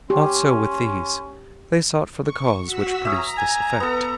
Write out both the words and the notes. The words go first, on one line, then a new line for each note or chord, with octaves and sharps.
Not so with these; they sought for the cause which produced this effect.
C#4 G4 C6
C#6
F#4 E6 B6
C#4 E5 A#5 D#6
G#5
B3 A4